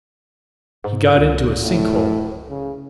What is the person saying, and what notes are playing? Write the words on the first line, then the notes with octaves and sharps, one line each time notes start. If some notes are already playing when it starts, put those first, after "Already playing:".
"He got into a sink-hole."
G#2
C#2
A2
C#3